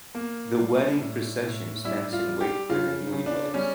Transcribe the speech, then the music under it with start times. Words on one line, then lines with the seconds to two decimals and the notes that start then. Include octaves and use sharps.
The wedding procession stands in wait for the newlyweds.
0.15 A#3
0.57 G3
0.99 A2
1.43 A2
1.84 G3 E4
2.13 F4
2.27 G3
2.41 G4
2.69 C#3 F4
3.12 C#3
3.26 D4
3.54 G3 C#4